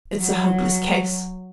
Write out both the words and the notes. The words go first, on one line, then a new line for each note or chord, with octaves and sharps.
It's a hopeless case!
F#3